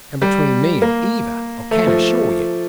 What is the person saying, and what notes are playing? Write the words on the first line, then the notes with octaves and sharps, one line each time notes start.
"And between me and Eva, I can assure you."
G3
A#3
A3
F3